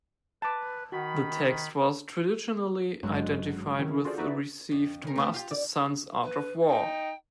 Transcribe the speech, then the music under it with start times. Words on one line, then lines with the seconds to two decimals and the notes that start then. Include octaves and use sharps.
This text was traditionally identified with the received "Master Sun's Art of War".
0.42 B4 A5 D6
0.92 D#3 F#4 B5
3.03 G#1 G2 F#3 G#3 F#4 F#6
3.79 D#3 F#3 C#4 E4
4.05 F4 F#4 G#4 A4 C5 D5
4.18 D#4 F#4 B4 D5 E5
4.71 F2
5.03 C#3 A#4
5.16 A3 B3 C4
5.34 F4 G4
5.51 D5
6.24 B4
6.69 D#4 G5